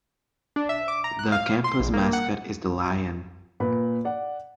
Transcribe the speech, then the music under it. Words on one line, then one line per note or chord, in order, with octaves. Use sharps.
The campus mascot is the lion.
D4
E5
D6
A#5
F#6
F5
C6
A#1
A#3
F#5
A#2 B4 B5
D5 F#5